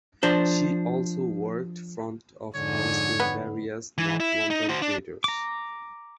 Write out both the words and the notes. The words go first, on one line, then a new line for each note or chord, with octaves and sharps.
She also worked front of house in various north London theatres.
F3 D4 C5
F2 G#2 D3 C#5
B3
E3
E4
D#4
F#4 C5
D4
A#5 D6